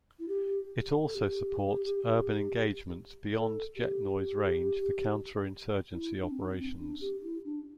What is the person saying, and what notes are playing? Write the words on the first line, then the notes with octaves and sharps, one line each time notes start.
It also supports urban engagements beyond jet noise range for counter-insurgency operations.
E4
G4
A4
G4
A4
G4
E4
D4
C4
D4
C4
D4
G4
E4
D4